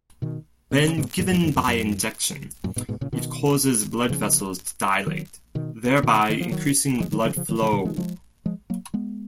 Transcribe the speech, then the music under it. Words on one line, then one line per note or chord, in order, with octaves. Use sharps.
When given by injection it causes blood vessels to dilate, thereby increasing blood flow.
B2 D#3
B2
C#3
G#2 B2
F#2 A#2
F2 G#2
F2 G#2
F2
F#2
F#2 A#2
G#2 B2
G#2 B2
A#2 C#3
B2 D#3
C#3 F3
D#3 F#3
B2 D#3
B2 D#3
D#3
F3
D#3 F#3
F3 G#3
D#3 F#3
C#3 F3
C#3 F3
D#3 F#3
C#3 F3
B2 D#3
F3 G#3
F3 G#3
F3 G#3
F#3 A#3
G#3 B3